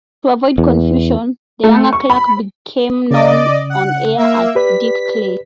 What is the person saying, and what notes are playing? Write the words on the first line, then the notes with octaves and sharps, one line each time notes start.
To avoid confusion, the younger Clark became known on-air as "Dick Clay".
E2
A3
C#6
B5
C#3 D5 D#5 D6
F#5
A#3 E5
G4 B4 D5 B6